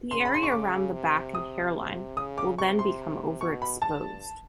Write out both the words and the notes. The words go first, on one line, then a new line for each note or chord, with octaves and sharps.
The area around the back and hairline will then become over-exposed.
C#3 C6
B5
C6
C#6
D6
C3
D#6
C#3 D#6
D6
C3 C#6
C6
B2 C#6
B5
G2 A5